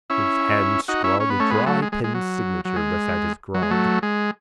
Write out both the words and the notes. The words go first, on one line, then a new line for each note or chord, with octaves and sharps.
His hand scrawled a dry pen signature beside his grog.
C#4 E4
D#4 F#4
C#4 E4
C#4
B3
A3 C#4
G#3 B3
F#3 A3
G#3
G#3
G#3
F#3
F#3
G#3
F#3
G#3
F#3 A3
G#3